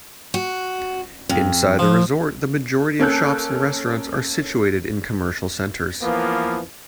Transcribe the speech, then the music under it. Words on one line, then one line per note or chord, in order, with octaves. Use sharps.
Inside the resort, the majority of shops and restaurants are situated in commercial centres.
F#4
F2
F3
A#3 C#4 A4 F#6 G6
E3 F3 A#3 B3 F4